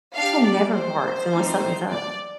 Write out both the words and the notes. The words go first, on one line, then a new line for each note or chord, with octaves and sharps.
This one never barks unless something's up.
D4 G4 F5
D5
C5
A3 C4 D#4
D5